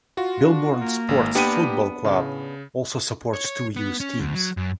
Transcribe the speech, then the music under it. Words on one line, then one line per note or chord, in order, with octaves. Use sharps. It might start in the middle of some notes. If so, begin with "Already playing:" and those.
Milborne Sports Football Club also supports two youth teams.
F4 F#4
D4
A#3
G#1
B3 D4 G4 B4 G5 D#7
A2 C#3
C#5
C#5
B3
C#4
D2
F#3
F#2